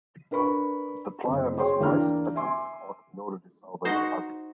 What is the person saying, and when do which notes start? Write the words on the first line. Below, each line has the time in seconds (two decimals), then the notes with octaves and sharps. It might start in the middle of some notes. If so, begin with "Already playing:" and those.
The player must race against the clock in order to solve each puzzle.
0.31 D4 A#4 B4 B5 C#6
1.23 F#1 C4
1.57 G#4 C#5 G5 C6
1.80 E2 A#3 D4 G5 A#5 F6
2.36 E5 G#5 C6 D6
3.85 D#4 F#4 C5